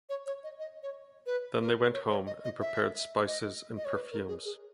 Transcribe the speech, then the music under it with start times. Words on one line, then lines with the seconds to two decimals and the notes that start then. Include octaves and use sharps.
Then they went home and prepared spices and perfumes.
0.09 C#5
0.26 C#5
0.44 D#5
0.59 D#5
0.83 C#5
1.26 B4
1.61 A#4
1.93 C#5
2.10 C#5
2.27 D#5
2.44 D#5
2.61 E5
3.27 D#5
3.77 D#5
3.85 C#5
3.94 B4
4.12 A#4
4.28 G#4
4.45 G#4